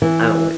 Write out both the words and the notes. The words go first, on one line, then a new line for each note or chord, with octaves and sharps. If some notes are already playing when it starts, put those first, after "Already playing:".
I don't li
E3